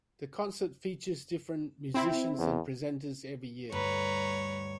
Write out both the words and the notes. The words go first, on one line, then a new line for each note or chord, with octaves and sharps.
The concert features different Musicians and presenters every year.
C4 E4
E2
D2 G2 B4 C#5 A#5